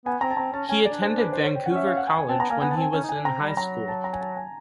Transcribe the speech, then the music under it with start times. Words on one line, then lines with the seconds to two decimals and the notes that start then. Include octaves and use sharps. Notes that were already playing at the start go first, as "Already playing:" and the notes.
He attended Vancouver College when he was in high school.
0.06 B3 G#5
0.21 C4 A#5
0.31 A5
0.37 C4 A#5
0.53 C#4 A5
0.69 C#4 G#5
0.85 D4 D5
1.02 C5
1.18 B4
1.33 C5
1.44 C#5
1.55 G5
1.65 C#4 F#5
1.75 E5
1.87 F5
1.97 F#5
2.07 G#5
2.18 G#5
2.29 C4 A5
2.40 B3 A#5
2.50 A#3 G#5
2.61 B3 G#5
2.71 A5
2.77 C4 G#5
2.93 C#4 G#5
3.04 D#4
3.09 G#5
3.14 D4
3.25 C4 A#5
3.40 G3 B5
3.56 F#3 A#5
3.88 A5
4.04 A#5
4.13 G#5
4.21 A5
4.36 G#5